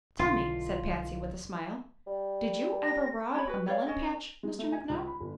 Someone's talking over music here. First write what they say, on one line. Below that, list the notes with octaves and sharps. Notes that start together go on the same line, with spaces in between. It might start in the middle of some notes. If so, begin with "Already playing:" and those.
"Tell me," said Patsy, with a smile, "did you ever rob a melon-patch, Mr. McNutt?"
B1 D3 E3 F4
G3
A#6
C#4 D4 C#5 B5
F#4 B4
B4 C#5 D5 F5
C#4 A#4 D#5
G#3
A3
G#5
C#2
B5
G1